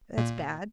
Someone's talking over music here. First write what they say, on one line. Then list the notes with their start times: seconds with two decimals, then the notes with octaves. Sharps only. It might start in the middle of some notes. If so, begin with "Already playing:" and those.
That's bad!
0.18 A#2